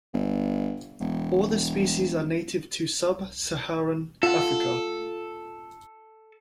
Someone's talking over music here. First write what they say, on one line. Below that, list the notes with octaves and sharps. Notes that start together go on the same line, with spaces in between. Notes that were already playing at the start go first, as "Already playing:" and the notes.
All the species are native to sub-Saharan Africa.
G1
E1
F4 A4 F#5